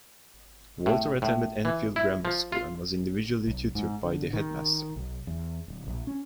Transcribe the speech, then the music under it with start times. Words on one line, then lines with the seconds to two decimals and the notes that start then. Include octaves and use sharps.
Walter attended Enfield Grammar School and was individually tutored by the headmaster.
0.86 A2
1.22 A2
1.65 E3
1.96 E4
2.25 F3
2.52 F4
3.47 B1
3.75 G#2
4.05 D3
4.33 D#3
4.96 B1
5.27 E2
5.68 D1
5.87 A#1
6.07 C#4